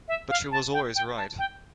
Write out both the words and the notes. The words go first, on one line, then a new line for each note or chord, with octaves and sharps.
But she was always right.
E5
F5
A5
G5
G5
A5
G5